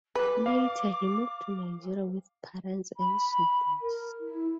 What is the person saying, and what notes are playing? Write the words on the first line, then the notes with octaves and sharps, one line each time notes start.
Later he moved to Nigeria with parents and siblings.
B4 D6
F5
B5
A#4
E4